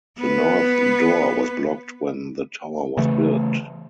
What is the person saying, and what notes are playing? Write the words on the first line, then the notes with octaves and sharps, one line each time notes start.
The north door was blocked when the tower was built.
B3 B4
C#3 E3 A3